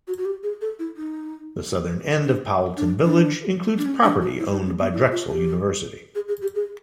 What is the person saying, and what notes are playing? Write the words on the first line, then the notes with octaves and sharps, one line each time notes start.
The southern end of Powelton Village includes property owned by Drexel University.
F#4
F#4
G4
G#4
A4
E4
D#4
D4
D4
D4
D4
C#4
D4
F#4
E4
D#4
C#4
B3
E4
F4
G4
G#4
G#4
G4
G#4